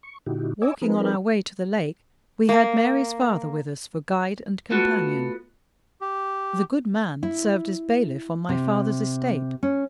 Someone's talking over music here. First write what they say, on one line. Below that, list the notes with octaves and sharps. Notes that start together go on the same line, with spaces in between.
Walking on our way to the lake we had Mary's father with us for guide and companion. The good man served as bailiff on my father's estate.
C#6
A#2 D3 D#4 E4 F#4 G4
C#5 D#5 G#5 D6 E6
F3 C4 D#4 G#4 A#4 B4
A#3
A3 B3 F4 F#4 A4
G4
E4
C3
C#4